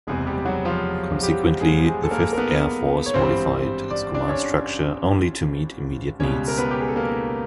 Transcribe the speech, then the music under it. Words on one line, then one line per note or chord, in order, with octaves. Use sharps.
Consequently, the Fifth Air Force modified its command structure only to meet immediate needs.
F#1 E2 C3 G#3 G#4
G3 G4
F#3 F#4
F3 F4
G3 G4
G#3 G#4
G#3 G#4
A4
A#3 A#4
A#4
B3 B4
C#5
G#1 G2 E3 G3 C4 C5
D5
D4 D5
C#4 C#5
C#2 B2 G3 C#4 C#5
A#4
B3 B4
G4
G#4
A4
A#3 A#4